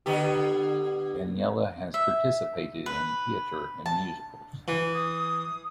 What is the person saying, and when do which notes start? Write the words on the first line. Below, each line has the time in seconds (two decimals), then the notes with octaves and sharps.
Daniela has participated in theater and musicals.
0.06 D3 B3 G4
1.94 E5
2.86 B4
3.86 A5
4.68 E3
4.94 D#6